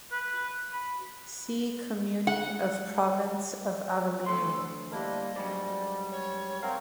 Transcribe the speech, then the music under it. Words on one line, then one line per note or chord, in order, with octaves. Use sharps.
See Comuni of the Province of Avellino.
B4
B5
F#5
D2 G2 A4 C6
G3 A#3 D4 E4 A#4 D#5
G#2 F#3 G3 D5
C#5
C4 A#4 C5 C#5 F5 F#5